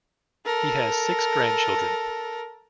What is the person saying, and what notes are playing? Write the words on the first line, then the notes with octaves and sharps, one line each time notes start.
He has six grandchildren.
A4 A#4